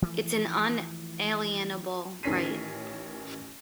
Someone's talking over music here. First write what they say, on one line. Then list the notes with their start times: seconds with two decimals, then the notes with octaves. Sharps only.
It's an unalienable right.
0.02 E3 F3 A3
2.23 A1 D#3 C#4 B6 C7 D#7